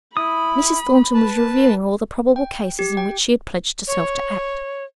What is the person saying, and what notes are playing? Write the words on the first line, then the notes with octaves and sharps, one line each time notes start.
Mrs. Thornton was reviewing all the probable cases in which she had pledged herself to act.
E4 B5 D#6
B4 A5
G5
G4
G5
C#5